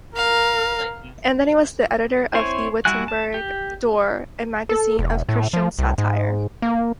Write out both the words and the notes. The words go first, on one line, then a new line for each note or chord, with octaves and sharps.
Anthony was the editor of "The Wittenburg Door", a magazine of Christian satire.
A#4 F5
C4 E4 C5 C#5 G#5
G3 E4 F#4 G#5 F#6
A5
G4
A4
E1
A2
F3
C2
G#2
A#3